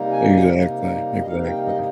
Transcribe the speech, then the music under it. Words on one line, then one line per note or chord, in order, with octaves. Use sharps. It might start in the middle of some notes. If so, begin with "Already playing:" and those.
Exactly, exactly.
Already playing: C3 G3 A#3 D#4
G#5
C3 G3 A#3 D#4
D#5
C3 G3 A#3 D#4 F5
F5
G5
D#5